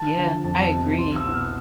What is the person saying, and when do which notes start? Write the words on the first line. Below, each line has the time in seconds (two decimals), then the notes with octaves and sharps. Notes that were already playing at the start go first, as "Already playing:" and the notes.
Yeah. I agree.
Already playing: A5
0.17 D3 F3
0.44 F2 A5
0.72 C3 F3 B3
0.98 C2 C6
1.16 E6
1.25 B2 B3 E4
1.33 F6